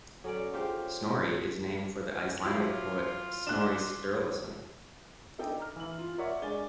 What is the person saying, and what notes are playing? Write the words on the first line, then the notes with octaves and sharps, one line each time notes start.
Snorri is named for the Icelandic poet Snorri Sturluson.
F#3 C#4 A4 D5
C#4 E4 F4 G4 G#4 C5
F#3 E4 F4 G4
D4 F#6 E7
B3 D4 D#4 A4 D#5 G5
A#5 F6
E3 F#7
F4
A#4 C#5 D5 E5 F#5 C#6
G#3 D4 D5 G#5 A6 G7